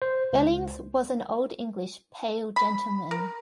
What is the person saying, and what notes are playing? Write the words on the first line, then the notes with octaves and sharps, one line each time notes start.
Bellings was an Old English Pale gentleman.
C5
C#2
B5
A#4